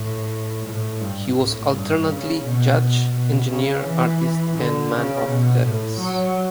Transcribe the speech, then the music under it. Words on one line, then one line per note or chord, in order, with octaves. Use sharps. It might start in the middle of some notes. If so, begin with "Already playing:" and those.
He was alternately judge, engineer, artist, and man of letters.
Already playing: A2
A2
G2
A2
G2
C#3
B2
B2
B2
C#3
E3
D3
C#3
B2
A2
F#3